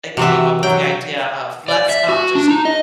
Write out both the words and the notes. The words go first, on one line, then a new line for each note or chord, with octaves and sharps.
I came up with the idea of, "Let's not just
C3 E3 F#4 E5
F#3 G5
D5
E5
F#4
D4
D#4
D#5